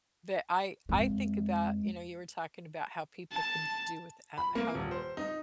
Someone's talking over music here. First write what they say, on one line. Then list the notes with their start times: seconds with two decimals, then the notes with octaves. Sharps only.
The I I think about, you know, you were talking about how people could do with a how
0.89 F2 G#3
3.32 A5
4.38 B5
4.55 A#3
4.74 D#1
4.91 C5
5.17 D#4